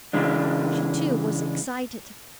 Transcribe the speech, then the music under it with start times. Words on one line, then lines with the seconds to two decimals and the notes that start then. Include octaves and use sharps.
She, too, was excited.
0.13 C#3 E3 G#3 D4